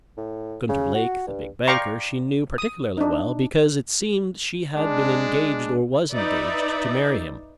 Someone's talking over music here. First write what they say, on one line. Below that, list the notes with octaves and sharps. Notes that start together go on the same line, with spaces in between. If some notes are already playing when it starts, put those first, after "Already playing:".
Gunter Lake, the big banker, she knew particularly well, because, it seemed, she had been engaged or was engaged to marry him.
A2
C#3
F#4
G2
D5 F5 G5 A#5 C6 C#6
D#6
D4 D#4
G#3 D4
D#4 B4 D5 E5